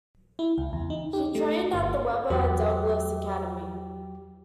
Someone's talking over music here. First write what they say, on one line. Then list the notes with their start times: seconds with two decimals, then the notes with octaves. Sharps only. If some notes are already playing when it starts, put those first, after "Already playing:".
She trained at the Webber Douglas Academy.
0.39 E4
0.58 C#2
0.73 E2
0.90 D#4
1.13 G4
1.35 A3
1.74 G1
2.30 E2 F#3 G4